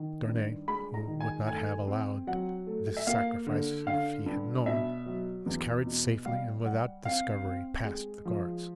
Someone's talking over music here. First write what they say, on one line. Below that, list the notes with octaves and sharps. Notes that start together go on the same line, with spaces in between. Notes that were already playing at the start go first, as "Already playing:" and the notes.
Darnay, who would not have allowed this sacrifice if he had known, was carried safely and without discovery, past the guards.
Already playing: D#3
G2
G#3 B5
A#5
D#3
G#5
A3 G#5
C4
F#3 F#5
A3
E5
A#3 F5
D3
D3 F5
G2
B2 E5
F#3
E2
B2
G3 F5
G3 F#5
C4 F5
C4
G#3
F3